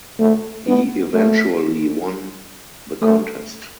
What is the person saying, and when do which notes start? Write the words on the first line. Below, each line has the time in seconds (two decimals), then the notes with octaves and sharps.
He eventually won the contest.
0.19 A3
0.66 B3
1.14 A3
3.02 A3